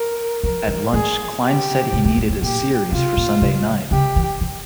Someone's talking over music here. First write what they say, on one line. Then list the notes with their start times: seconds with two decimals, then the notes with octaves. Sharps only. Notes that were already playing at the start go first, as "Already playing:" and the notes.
At lunch Klein said he needed a series for Sunday night.
Already playing: A#4
0.43 F3 A#4
0.68 E3
0.93 E3 G#4
1.43 G4
1.93 C#3
2.05 A#2
2.17 A#2
2.30 G2
2.42 A#2 G4
2.92 C3 F4
3.17 A#2
3.42 C#3
3.91 C#3 G4
4.16 E3
4.41 E3